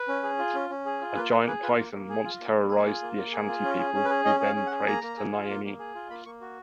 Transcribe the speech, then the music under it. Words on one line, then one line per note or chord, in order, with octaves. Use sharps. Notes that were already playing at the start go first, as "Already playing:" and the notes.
A giant python once terrorised the Ashanti people, who then prayed to Nyame.
Already playing: B4
C#4
G#4
F4
C#4
C#4
G#4
F4
A#3 B4
A#3 B4
G#4 B4
F4 B4
A#3
A#3
G#4
F4
A#3
A#3
G#4
F4
A#3
A#3
G#4
F4
C#4
G#4
C#4
B4
G#4
C#4 D#5
G#4
F5
C#4
F#5
G#4
A#3 A#5
A#3
G#4
F4
A#3
A#3
G#4
F4
A#3 B5
A#3 C#6
F#4